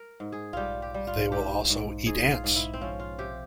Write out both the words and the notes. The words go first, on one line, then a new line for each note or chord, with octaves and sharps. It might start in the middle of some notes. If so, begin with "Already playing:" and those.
They will also eat ants.
Already playing: A#4
G#2
G#4
G3 F4 G4
G4
G3
F4
G#2 G4
G#2
G#2 G#4
F4
G#2
E4
C4
F3 C#4
F4
C3 G4